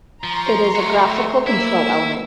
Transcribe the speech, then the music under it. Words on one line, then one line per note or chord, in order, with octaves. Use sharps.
It is a graphical control element.
F3 A#5 C6 C#6
F3 A3 F#4 A4
A#3 E4 E6